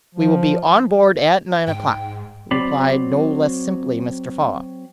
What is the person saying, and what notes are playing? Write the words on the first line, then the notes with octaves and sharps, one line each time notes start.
"We will be on board at nine o'clock," replied, no less simply, Mr. Fogg.
F3
G#2 G5
F#3 C4 D5 B5 D6